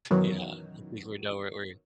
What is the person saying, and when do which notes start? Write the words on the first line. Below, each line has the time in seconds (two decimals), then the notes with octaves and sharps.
Yeah. I think we're nowhere where y
0.11 F#2 B2 D#3 E3 F#3